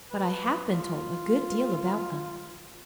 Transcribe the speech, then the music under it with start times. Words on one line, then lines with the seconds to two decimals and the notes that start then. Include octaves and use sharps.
"But I have been told a good deal about them."
0.11 B4
0.72 F4